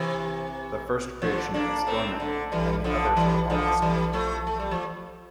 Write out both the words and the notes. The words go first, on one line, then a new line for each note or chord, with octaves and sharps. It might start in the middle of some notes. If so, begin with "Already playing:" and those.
The first creation is dormant and the others are all extinct.
Already playing: C3 E3
D3 F3
A#3 D4
A3 C4
D3
E3 G3
D3 F3
E3 G3
D3 F3
E3 G3
F3 A3
A3
G3
F3